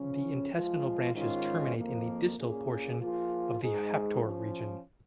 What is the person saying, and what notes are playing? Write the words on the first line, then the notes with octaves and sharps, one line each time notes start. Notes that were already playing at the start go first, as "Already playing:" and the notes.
The intestinal branches terminate in the distal portion of the haptor region.
Already playing: C#3 F3 C#4
F3 G#3 F4
G#2 D#3 G#3 C#4 F4
F2 F3 A#3
A#2 A#3 C#4 G#4
F3 A#3 F4 G#4
G#2 G#3 D#4 G#4
F3 C#4 F4